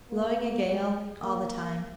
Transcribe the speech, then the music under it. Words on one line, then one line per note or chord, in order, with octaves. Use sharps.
Blowing a gale all the time.
A#3
G#3
A#3